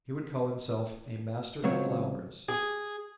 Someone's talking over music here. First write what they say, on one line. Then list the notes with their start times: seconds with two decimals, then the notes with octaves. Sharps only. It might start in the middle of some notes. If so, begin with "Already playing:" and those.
He would call himself a Master of Flowers.
1.64 C#2 F#3 C4 C#5
2.48 G#4